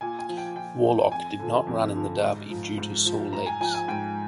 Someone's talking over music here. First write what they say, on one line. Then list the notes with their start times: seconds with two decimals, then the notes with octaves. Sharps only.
Warlock did not run in the Derby due to sore legs.
0.01 A#2 G#5
0.19 G#5
0.29 F3
0.37 G5
0.56 A#2 G5
0.85 F3
1.12 F2 G#5
1.39 D3 F3
1.67 F2
1.95 D3 F3
2.23 G#2
2.50 F3
2.78 G#2
3.06 F3
3.33 G#2 A#5
3.46 G#5
3.60 F3 G#5
3.74 G#5
3.88 G#2 G5